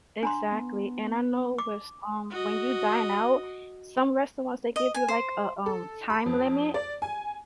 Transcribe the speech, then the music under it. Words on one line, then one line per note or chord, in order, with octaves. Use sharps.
Exactly, and I know thas um, when you dine out, some restaurants they give you, like, a, um, time limit
D4 A#5 C6
B3
D6
F#4 D#5
D#5
G#5
C5
A4
B5
F2
D5
G#5